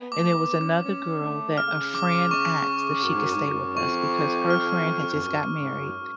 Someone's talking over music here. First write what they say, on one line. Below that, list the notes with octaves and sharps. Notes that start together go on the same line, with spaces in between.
and there was another girl that a friend asked if she could stay with us, because her friend had just got married,
B3
A3 D6
B3
C#4
C#4
A3
C#3 F6
D6
C#6
F#2
G#2
F#2
G#2
F#2
F2 C#6
F6
F2
F#2
G#2
F#2